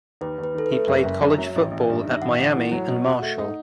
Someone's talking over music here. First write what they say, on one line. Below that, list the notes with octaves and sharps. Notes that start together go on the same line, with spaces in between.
He played college football at Miami and Marshall.
D#2 B4
D#2
B4
D#3 A4
B4
A3
F#1 E5
F#1
F#2
F#3
A1
A1
G2
D#3
E5
A1 F#5
A1
A2
F#3
B2
F#4
A3
D#4